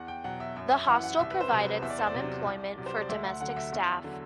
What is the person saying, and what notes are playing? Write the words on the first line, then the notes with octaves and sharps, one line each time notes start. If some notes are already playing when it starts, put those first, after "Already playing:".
The hostel provided some employment for domestic staff.
Already playing: E2 F#5
G5
B2 F#3 F#5
E5
F#2 E5
E5
E3 F#5
F#5
C2 E5
B4
C5
C3 F#3
B4
E2 E5
D5
C5
D5
C3 F#3
C2
C3 F#3
C5
D5
D2 E5
F#5
D3 F#3 F#5
E5
E2
D3 F#3